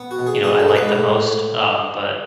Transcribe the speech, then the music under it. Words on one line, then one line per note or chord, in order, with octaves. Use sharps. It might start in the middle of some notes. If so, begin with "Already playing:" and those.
you know, I liked the most. Um, but
Already playing: B3
F#4
B2
G#4
B2 G#4
A4
G#3
B4
A2